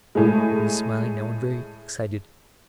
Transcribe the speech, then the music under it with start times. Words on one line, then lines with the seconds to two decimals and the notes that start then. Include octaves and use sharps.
He was smiling now and very excited.
0.15 A2 G#3